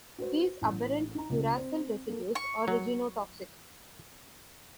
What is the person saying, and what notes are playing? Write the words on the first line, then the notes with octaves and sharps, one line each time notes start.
These aberrant uracil residues are genotoxic.
F#4 B4 C5
A1
D#4 A#5
C#2 C#3
C4 C5
A#3 A4
C#6
F#3